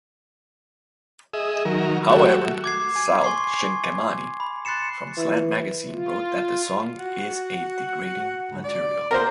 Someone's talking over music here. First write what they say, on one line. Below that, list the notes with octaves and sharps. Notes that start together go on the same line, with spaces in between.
However, Sal Cinquemani from Slant Magazine wrote that the song is a "degrading material".
G#4 D#5 E5
D#3 F#3 A#4
F#3 A3 F#4 G4 E5
D6 G#6 C7
G#5 G#6
G#5 C6 C#6 G#6 C7
B5
C6 F#6 A6 C7 C#7 E7
E3
F4
F#4 F#5
D2 G#2
D5
A#3 C4 A#4 C5